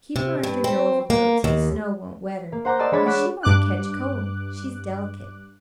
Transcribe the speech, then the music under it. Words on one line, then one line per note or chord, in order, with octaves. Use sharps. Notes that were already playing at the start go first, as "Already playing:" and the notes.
"Keep her under your overcoat, so the snow won't wet her, and she won't catch cold, she's delicate."
C3
G2
C4
A#3
D#2
A#3
C5 F#5 A#5 D6 G6
D5 D#5 A5 C6 E6
G#3 D4 C#5 B5 D6 A6
F#5 C#6 D6 F#6 B6 E7
G2 D6 F#6